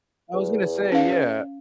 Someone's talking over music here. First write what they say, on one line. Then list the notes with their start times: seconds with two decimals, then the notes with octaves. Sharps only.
I was gonna say, yeah.
0.34 E2
0.92 C#4 F5